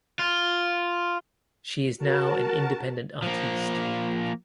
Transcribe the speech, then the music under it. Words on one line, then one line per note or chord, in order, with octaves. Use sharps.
She is now an independent artiste.
F4
F#4 A#4 A5
F3 A#3